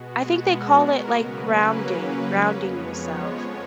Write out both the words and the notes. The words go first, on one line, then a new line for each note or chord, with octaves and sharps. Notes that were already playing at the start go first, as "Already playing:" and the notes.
I think they call it like grounding. Grounding yourself.
Already playing: B2 G#3 B3 F#4
A#4
C#3 F#3 A#3 C#4 B4
F2 F3 G#3 B3 C#5